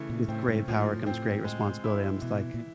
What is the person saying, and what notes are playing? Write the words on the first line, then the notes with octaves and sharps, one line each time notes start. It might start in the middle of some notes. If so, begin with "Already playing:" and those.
"With great power comes great responsibility." I'm just like,
Already playing: C#3 E3 A3
A#2
A2 C4
G#2
A2 F3
C4
G#3
E4
B2 E3
A#2